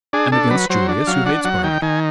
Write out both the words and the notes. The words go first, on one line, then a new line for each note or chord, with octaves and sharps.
And against Julius, who hates Bernard.
D4 G#4
D4 A4
F#3 B4
F#3 C5
D4
F#3 F5
D4 F#5
F#3 F#5
D#3 G5
D#3 G#5